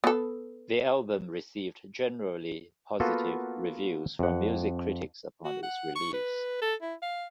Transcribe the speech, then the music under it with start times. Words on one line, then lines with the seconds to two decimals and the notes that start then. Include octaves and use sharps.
The album received generally positive reviews from music critics upon its release.
0.04 B3 A4
3.00 A#3 B3 F4 F#4 A4 B4
4.19 F2 F#5
5.44 F#4
5.63 F#5
5.95 C#6
6.13 B4
6.62 A4
6.82 E4
7.02 F5